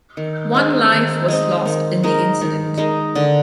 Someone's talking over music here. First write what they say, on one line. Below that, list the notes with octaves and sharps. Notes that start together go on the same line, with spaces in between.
One life was lost in the incident.
D#3
G#3 C4 D#4
D#3
G#3 C4 D#4
D#3
G#3 D#4 A#4
D#3
G#3 D#4 A#4
D3